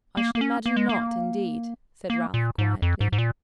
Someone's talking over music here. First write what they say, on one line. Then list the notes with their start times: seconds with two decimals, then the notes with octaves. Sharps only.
'I should imagine not, indeed!' said Ralph, quietly.
0.17 A#3
0.35 A#3
0.41 C#4
0.66 A#3
0.76 G#3
0.89 A#3
2.10 A#3
2.34 A#2
2.58 G#2
2.82 F2
3.01 G#2
3.12 G#2
3.18 A#2